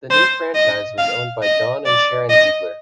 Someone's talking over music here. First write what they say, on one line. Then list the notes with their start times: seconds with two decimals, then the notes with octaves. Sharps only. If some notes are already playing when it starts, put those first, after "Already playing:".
The new franchise was owned by Don and Sharon Ziegler.
0.11 C5
0.55 D#5
0.98 F5
1.43 D#5
1.86 D5
2.30 D#5